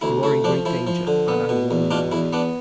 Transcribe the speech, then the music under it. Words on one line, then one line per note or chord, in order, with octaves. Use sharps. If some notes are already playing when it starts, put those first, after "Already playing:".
You are in great danger, and I warn you of it.
D2 E4
A3 E4
F3 D4
F3 E4
F3
D3
B3
B2
E2
B2 D4 F4
E2 E4
B3 D4